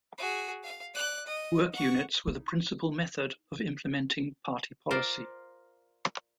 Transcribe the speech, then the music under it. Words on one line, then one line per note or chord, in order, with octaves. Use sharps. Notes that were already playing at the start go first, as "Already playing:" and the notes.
Work units were the principal method of implementing party policy.
F#4 G#4
F5
D5 F#6
D#5
F#5 C#6
D#4 E4
F4 A#4 C5 D5